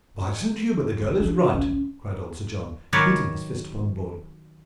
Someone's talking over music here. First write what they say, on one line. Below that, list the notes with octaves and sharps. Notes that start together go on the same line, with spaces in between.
"By Saint Hubert, the girl is right!" cried old Sir John, beating his fist upon the board.
E3
D4
C#4
C#4
D#3 F#3 A#4 B4 C#5 D5